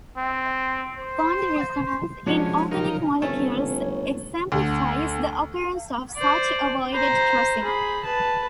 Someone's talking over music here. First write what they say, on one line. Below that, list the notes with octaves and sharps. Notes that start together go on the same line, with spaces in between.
Bond resonance in organic molecules exemplifies the occurrence of such avoided crossings.
C4
C5
F3 G#3 C#4 D4 F#4 C#7
F#3 D#4 F4 A#4
G1 A3 C4 C#4 A4
C#5
D2
C5 D5
C5 A#5
G#4 B5
B4 A5